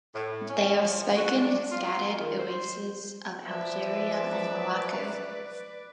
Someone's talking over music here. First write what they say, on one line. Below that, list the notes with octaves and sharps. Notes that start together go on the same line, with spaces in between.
They are spoken in scattered oases of Algeria and Morocco.
A2
C#4
F3
F#4
D4
F4
D#3
C5
F3 B4 D5 E5